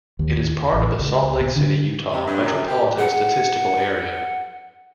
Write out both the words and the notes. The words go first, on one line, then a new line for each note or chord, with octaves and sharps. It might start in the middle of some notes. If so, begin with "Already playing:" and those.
It is part of the Salt Lake City, Utah Metropolitan Statistical Area.
D#2
A1
C#2
B2
D3
C3
G2
F#2
G4
G#4 F#5